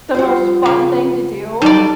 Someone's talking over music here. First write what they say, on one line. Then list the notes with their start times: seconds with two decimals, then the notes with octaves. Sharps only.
the most fun thing to do,
0.15 F3 G3 F#4
0.66 C#3
1.62 F#3 G3 D#4 A4 D5 D#5